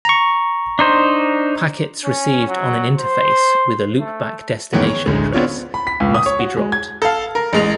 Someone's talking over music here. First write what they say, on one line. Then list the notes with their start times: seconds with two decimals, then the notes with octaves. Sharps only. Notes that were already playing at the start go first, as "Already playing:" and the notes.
Packets received on an interface with a loopback destination address must be dropped.
0.05 A#5 C#6
0.79 D4 D#4 C5
2.04 C#4
2.48 F#3
2.97 C5
3.98 A3
4.73 F#2 D#3 E3 G#3 B3 C#4
4.87 C#5
5.06 A1 D2 G#3
5.33 B3 C4 D4 F4 C#5
5.74 B5
5.87 B6
6.00 C#2
6.15 D#6
6.26 C#5
6.39 F#4
6.57 G#3
6.72 G#6
7.02 A4 F5
7.35 A#4
7.53 A1 G#3 F7